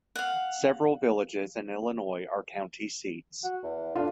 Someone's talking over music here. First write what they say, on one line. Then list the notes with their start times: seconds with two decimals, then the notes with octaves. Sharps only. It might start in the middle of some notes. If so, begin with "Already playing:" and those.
Several villages in Illinois are county seats.
0.15 F5 F#5
3.44 F#4
3.63 E2
3.95 D3 D4 F4